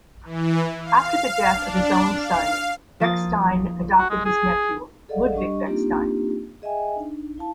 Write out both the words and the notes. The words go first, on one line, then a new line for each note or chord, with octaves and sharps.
After the death of his own son, Bechstein adopted his nephew Ludwig Bechstein.
E3
F5
D4
F5
F3 A#3 D#6 A6
F#4
G#3
G#4
G#4 A4 D5 D#5 F5 F#5
G3 D4 G4 D#5 C#6
A#3 C4 D4 D#4 F4 G4
G#4 D#5 E5 G5 G#5
D4 D#4
E4 F5 A5